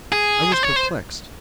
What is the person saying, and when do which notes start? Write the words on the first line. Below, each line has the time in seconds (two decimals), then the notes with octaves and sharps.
I was perplexed.
0.12 G#4
0.52 C5
0.63 C#5
0.76 C5